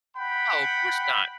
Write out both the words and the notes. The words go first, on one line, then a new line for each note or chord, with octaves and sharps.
Oh, course not.
F#5 G5 B5